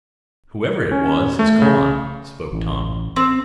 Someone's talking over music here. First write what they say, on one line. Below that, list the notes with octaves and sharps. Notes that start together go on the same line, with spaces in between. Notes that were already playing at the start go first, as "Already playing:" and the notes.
"Whoever it was, is gone," spoke Tom.
C#4
A3
C#3
A1
C4